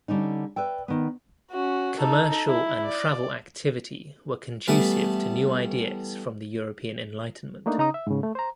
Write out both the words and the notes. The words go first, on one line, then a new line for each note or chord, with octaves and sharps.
Commercial and travel activity were conducive to new ideas from the European Enlightenment.
D3 G3 C#4 D#4
B4 D5 E5 G5
D#3 B3
C#4 F#4
D#4 A4
E4
D5
E3 G3 A3 B3
A3 A#3 D4 D#4
C#3 D#4 A#5 D#6
E5
G#2 C#3
A3
C5 A#5